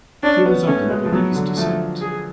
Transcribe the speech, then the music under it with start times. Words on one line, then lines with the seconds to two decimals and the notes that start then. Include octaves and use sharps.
He was of Lebanese descent.
0.23 C#4 D4
0.46 B3
0.67 A3 C#4
0.90 G#3
1.06 F3
1.12 F#3 B3
1.35 D3
1.57 F3 A3
2.01 G#4